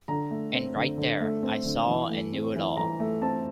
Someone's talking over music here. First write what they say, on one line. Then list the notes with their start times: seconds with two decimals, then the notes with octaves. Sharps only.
And right there I saw and knew it all.
0.08 D3 A#5
0.31 A3
0.54 C4
0.75 D3
0.98 D3
1.20 A3
1.43 C4
1.65 D3
1.88 E3
2.10 A3
2.32 C4
2.55 E3
2.77 E3 A#5
3.00 A3
3.22 C4 A5